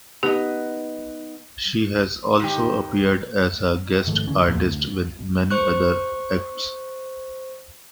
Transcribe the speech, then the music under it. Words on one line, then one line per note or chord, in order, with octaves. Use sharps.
She has also appeared as a guest artist with many other acts.
B3 D#4 G4 D#5
G#2 D#3 G4
G#2 D#3 F3 A3
F1 D3 E3 C#4
E2 A2 F3 A#3
D2
C5 C#6 F#6